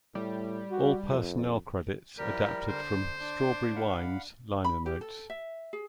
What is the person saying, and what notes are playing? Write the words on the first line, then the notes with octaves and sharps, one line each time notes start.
All personnel credits adapted from "Strawberry Wine"s liner notes.
A2 G3
F#4
F2
F3 G3 E4 G4 A#4
D3 D4 C5
D4 C6
F5 F#5 B5
B5
G4
A4
E5
G#4